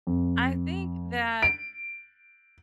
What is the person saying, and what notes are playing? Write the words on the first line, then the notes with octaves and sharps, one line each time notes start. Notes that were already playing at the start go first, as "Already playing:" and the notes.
I think that
F2
D7